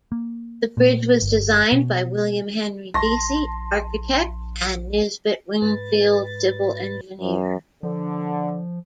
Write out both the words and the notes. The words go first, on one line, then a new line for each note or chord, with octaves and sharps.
The bridge was designed by William Henry Deacy, architect and Nisbet Wingfield, civil engineer.
A#3
A#2
G1
B2
A#1 A5 C6 A#6
G#2 B4 A6
F#2
D3 F3